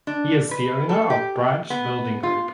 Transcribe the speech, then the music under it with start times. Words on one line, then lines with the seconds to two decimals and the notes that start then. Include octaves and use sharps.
He is the owner of Branch Building Group.
0.07 D4
0.51 B4
0.89 A4
1.10 G4
1.70 B3
2.23 F4